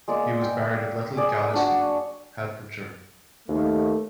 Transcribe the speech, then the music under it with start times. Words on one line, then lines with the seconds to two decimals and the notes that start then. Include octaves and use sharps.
He was buried at Little Gaddesden, Hertfordshire.
0.08 G#3 A#3 D5
0.42 G5
1.17 G#4 D5
1.53 D4 F#4
3.49 D#2 A3